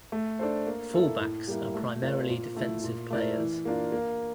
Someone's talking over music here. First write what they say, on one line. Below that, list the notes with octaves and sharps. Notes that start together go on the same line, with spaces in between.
Fullbacks are primarily defensive players.
A3
D4 A4 C5
A#3
E4 A4
A2
G3 A#3 E4
A3
C4 F4 A#4 D5
A#2
A3 E4
A#2
A3 E4 A#4 D5
E3
A#3 D4 F4
A#3